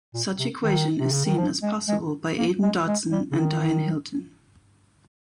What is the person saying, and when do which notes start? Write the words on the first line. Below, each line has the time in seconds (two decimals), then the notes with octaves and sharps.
Such equation is seen as possible by Aidan Dodson and Dyan Hilton.
0.14 A#2
0.39 C3
0.63 D#3
0.99 C3
1.12 C#3
1.25 D#3
1.38 F3
1.63 G#3
1.88 G#3
2.38 A#3
2.63 G#3
2.88 G#3
3.12 G3
3.31 C#3
3.38 D#3